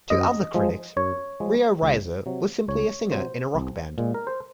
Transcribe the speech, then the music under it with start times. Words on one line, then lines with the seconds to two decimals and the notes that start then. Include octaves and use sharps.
To other critics, Rio Reiser was simply a singer in a rock band.
0.10 F#2 D#5
0.54 F3 G#3
0.97 F#2 C#5
1.40 F3 G#3
1.82 C#2
2.26 C3 F#3
2.68 C#2 C#5
3.12 C3 F#3 C5
3.55 C2
3.98 A#2 G#3
4.14 A#4
4.27 C5